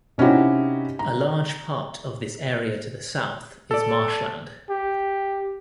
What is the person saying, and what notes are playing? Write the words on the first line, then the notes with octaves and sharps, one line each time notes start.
A large part of this area to the south is marshland.
C3 C#4 D#4 E4 F#4 G4
A#5
A4 D5
G4